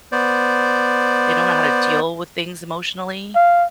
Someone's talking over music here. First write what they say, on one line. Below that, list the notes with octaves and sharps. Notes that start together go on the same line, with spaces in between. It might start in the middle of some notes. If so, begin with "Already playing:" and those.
they don't know how to deal with things emotionally,
B3 C5 D5
F5